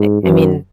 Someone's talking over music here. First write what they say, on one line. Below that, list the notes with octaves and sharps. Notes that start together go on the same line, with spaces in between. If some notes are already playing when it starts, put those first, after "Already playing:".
I I mean,
Already playing: G#2
F#2